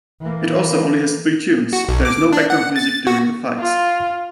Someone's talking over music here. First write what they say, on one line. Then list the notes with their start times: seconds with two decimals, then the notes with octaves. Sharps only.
It also only has three tunes; there is no background music during the fights.
0.20 E3 A#3
1.73 F#4
1.89 B1
2.05 D6
2.33 D4
2.50 F#5
2.76 A6
3.07 F#4
3.59 F4